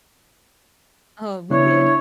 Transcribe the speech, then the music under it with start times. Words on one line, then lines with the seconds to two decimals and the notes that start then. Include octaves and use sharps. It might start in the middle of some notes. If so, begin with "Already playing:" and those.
Oh, we did.
1.50 C#3 B3 D4 E4 C#5